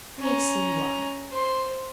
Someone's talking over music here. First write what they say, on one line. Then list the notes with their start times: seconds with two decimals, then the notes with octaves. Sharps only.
We have seen why.
0.19 C#4 A#5
1.31 C5 C6